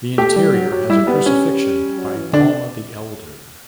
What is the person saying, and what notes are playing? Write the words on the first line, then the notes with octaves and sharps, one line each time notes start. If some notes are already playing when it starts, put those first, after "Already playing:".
The interior has a "Crucifixion" by Palma the Elder.
A3 G4
G3
F#3
F#3
G3 E4
G3 B3
C#4
F#3
E3
D3 D4